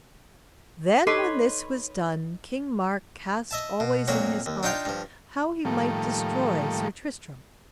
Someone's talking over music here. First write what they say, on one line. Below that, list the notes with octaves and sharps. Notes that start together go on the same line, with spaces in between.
THEN when this was done King Mark cast always in his heart how he might destroy Sir Tristram.
D#4 A4 B4 C#5 C6 D6
D#5 E5 A5
B2
F2 A#2 F#3 A#3 C#5
D#2
D4 D#4 F4 F5 G5
G2 F3
A2 D#3 F3 G3 A3 A#3